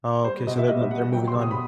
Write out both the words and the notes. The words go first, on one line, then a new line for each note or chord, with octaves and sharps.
Okay, so they're n they're moving on.
G3 C5
B2 D#5
E5
G3 D#5
G3 F#5
F#3 G5
C6
B2
D#6
B5